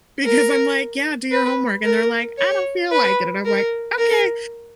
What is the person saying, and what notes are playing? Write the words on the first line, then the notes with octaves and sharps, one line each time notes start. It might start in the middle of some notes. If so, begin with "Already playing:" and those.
because I'm like, "Yeah, do your homework," and they're like, "I don't feel like it," and I'm like, "Okay." Like
A#4
B4
A#4
C#5
B4
A#4
A#4